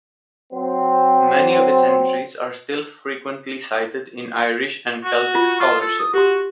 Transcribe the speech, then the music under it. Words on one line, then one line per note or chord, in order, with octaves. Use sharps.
Many of its entries are still frequently cited in Irish and Celtic scholarship.
F#3 C4
F#4
F4
F4 C6 C#6
A4
D#6
F#4 G4 C6